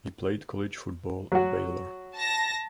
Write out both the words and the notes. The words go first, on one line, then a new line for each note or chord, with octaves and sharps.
He played college football at Baylor.
F#3 F#4
A5 A#6